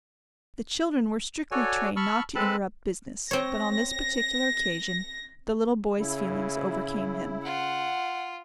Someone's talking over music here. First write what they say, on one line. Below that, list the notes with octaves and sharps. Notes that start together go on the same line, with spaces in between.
The children were strictly trained not to interrupt business, but on this particular occasion the little boy's feelings overcame him.
F#4 A4 C#5 D5 G#5
A5 B5 C#6 E6 F6
G#3 C4 A4 B4 A5 B5
C4 C#5 A#6
C#3 E4
F4 F#5